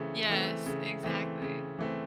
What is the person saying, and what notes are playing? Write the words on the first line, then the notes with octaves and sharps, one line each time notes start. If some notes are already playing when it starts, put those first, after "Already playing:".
Yes, exactly.
Already playing: C#3 E3 A3 C4
E3 A3 C4
C#3
E3 A3 C4
C#3
E3 A3 C4